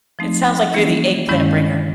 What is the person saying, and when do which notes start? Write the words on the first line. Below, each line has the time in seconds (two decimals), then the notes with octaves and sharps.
It sounds like you're the eggplant bringer.
0.19 F3 A3 C4 D#4
0.73 E3 G3 A#3 C#4 E4
1.29 G2 D#3 G#3 C#4 E4